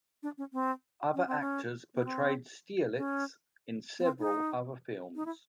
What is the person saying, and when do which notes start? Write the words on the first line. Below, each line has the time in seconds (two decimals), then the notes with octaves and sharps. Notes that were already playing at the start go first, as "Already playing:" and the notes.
Other actors portrayed Stierlitz in several other films.
0.23 D4
0.38 C#4
0.53 C4
1.14 C#4
1.27 C4
1.40 C#4
1.94 B3
2.05 C4
2.96 C#4
3.99 B3
4.03 C4
4.19 D#4
5.15 D#4
5.26 E4